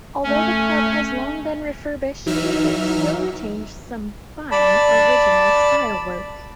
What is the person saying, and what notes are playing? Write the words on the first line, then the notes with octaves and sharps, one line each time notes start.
Although the pub has long been refurbished, it still retains some fine original tilework.
A3 C#4
E3 F#3 D#4 E5 F6
D5 A5 B5